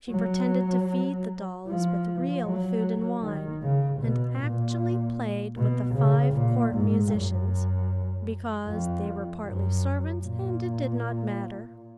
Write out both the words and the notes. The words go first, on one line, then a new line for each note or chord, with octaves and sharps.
She pretended to feed the dolls with real food and wine, and actually played with the five court musicians, because they were partly servants and it did not matter.
F#3
F3
F#3
D#3
C#3
B2
A#2
B2
C#3
A#2
G#2
F#2
F2
F#2
A#2